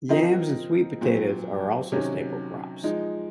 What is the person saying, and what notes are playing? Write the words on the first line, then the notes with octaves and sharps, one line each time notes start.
Yams and sweet potatoes are also staple crops.
F3 C4 F4 A#4 D#5
A#2 F#3 C4
C3 D#3 F#3 C#4
F3 G#3 D#4